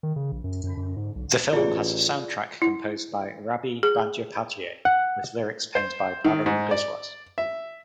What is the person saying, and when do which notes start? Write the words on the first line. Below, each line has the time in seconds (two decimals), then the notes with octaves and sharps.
The film has soundtrack composed by Rabi Bandyopadhyay with lyrics penned by Barun Biswas.
0.03 D#3
0.16 C#3
0.32 A#1
0.44 F#2
0.64 F#2
0.77 F#2
0.97 G#2
1.16 B1
1.53 A1 E4 F4 G#4 D5
2.62 E4
3.83 G#4
4.85 F#5
5.75 C5
6.25 D#3
6.46 G#2
6.71 D5
7.38 E5